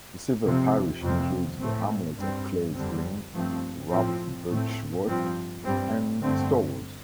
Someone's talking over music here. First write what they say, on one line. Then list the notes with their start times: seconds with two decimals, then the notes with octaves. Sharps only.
The civil parish includes the hamlets of Clays-Green, Roughbirchworth and Storrs.
0.44 F2 C3 F3 C4
1.02 F2 C3 F3 C4
1.60 A2 A3 C4
2.17 G2 G3 C4
2.75 F2 D3 G3 C4
3.33 G2 F3 A3 C4
3.91 A2 F3 C4
4.48 A2 A3 C4
5.06 G2 F3 C4
5.63 G2 G3 C4
6.22 G2 D3 A3 C4